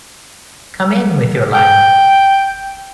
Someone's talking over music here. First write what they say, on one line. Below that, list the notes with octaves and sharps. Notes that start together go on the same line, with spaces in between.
Come in with your light.
G5